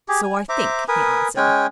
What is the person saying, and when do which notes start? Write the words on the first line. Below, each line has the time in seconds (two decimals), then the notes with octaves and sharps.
'So I think,' he answered.
0.09 G4 G#4
0.23 G#5
0.49 C5 E5 A#5 D6
0.88 A#4 B4 G#5 D#6
1.37 G#3 C#4 G5 G#5